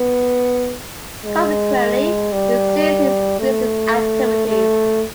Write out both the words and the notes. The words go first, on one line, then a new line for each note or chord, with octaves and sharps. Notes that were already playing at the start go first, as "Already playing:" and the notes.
Consequently, he ceased his business activities.
Already playing: B3
G#3
G3
A3
A3